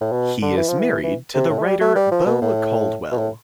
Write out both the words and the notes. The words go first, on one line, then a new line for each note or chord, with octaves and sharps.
He is married to the writer Bo Caldwell.
A2
B2
D3
E3
F3
E3
E3
C3
A2
A3
G3
A3
G3
F3
B2
A2
B2
A2